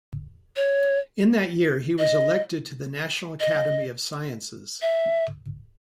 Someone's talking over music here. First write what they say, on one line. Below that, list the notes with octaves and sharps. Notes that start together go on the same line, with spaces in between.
In that year he was elected to the National Academy of Sciences.
C#5
D#5
D#5
E5